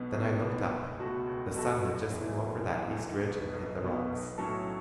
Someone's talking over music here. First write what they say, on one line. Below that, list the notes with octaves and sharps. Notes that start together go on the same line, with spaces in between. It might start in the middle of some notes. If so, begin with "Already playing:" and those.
Then I looked up! The sun had just come over that east ridge and hit the rocks.
Already playing: B1 B2 B3
B1
B2 B3
C#2
B2 A3 F#4 A4
C#2
B2 A3 F#4 A4
F#1
E2 E3
F#1
E2 E3
B1
B2 B3
B1
B2 B3
B1
A2 F#3 C#4 A4